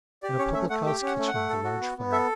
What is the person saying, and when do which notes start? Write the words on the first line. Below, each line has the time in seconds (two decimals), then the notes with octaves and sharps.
In a public-house kitchen with a large fire.
0.23 G4 D5
0.39 C#4 C#5
0.54 A3 E5
0.70 A3 F#5
0.86 G4 G5
1.02 C#4 F#5
1.18 A3
1.28 F#5
1.34 A3
1.50 A4
1.65 F#4
1.81 B3
1.97 B3
2.12 A4 E5